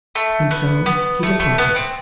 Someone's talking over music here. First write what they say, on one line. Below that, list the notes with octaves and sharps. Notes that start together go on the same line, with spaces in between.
And so he departed.
A3
B3
B3
A3
A3
B3
C4